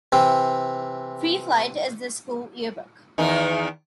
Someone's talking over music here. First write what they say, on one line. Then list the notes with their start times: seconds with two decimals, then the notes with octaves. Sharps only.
"FreeFlight" is the school yearbook.
0.12 C3 E3 C4
3.18 E2 D#3 D#4